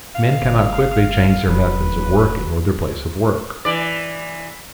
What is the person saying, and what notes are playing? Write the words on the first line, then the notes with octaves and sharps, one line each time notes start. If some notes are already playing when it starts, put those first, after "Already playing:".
Men cannot quickly change their methods of working or their place of work.
F5
G1
E1 F#3 B4
E3 D5